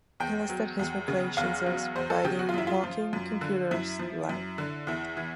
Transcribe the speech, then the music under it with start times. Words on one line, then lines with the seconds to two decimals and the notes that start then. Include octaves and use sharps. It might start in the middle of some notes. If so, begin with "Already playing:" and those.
He listed his recreations as "writing, walking, computers, life".
0.20 E2 G5
0.50 F#3
0.79 E2
1.08 C#3
1.37 E2 F5
1.66 F#3
1.96 E2 C5
2.10 A4
2.24 C#3 G4
2.39 F#4
2.49 F4
2.54 F#2 E4
2.67 F4
2.84 F3
3.13 F#2
3.41 D3
3.71 F#2 E4
3.99 F3
4.29 F#2
4.58 D3
4.87 E2 E4
5.17 E3